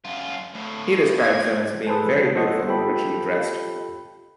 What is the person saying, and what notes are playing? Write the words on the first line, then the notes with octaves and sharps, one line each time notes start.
He describes them as being very beautiful and richly dressed.
F#2 F4
D2 A2
G#6
G#4 A4 B4 C5 G#5 A5
C#3 F#3 C4
A4 C5 C#5 D#5 F#5 D#6
F4 G4 A4 G5 B5